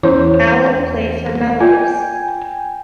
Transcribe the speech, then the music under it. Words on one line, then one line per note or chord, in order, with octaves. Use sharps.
Allan played for Melrose.
E2 C#4 E4 C5 C#5
F4 G5 G#5